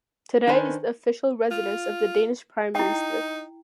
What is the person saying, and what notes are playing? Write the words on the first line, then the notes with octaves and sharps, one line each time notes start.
Today it is the official residence of the Danish Prime Minister.
D#3 D4 B4 C5 G#5
F4
D#4 E4 G5